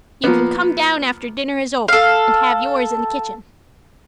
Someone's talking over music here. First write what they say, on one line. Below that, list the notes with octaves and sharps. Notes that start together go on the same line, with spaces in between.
"You can come down after dinner is over and have yours in the kitchen."
F3 A#3 B3
A4 F5